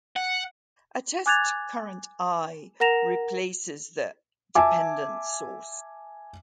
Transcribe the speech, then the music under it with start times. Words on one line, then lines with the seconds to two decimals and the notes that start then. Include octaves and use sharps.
A test current "i" replaces the dependent source.
0.16 F#5
1.26 G#5 D6 F#6 G#6 A6 F7
2.80 A#4 F#5 A#5 A#6 E7 F7
4.55 E5 G#5 A5 D6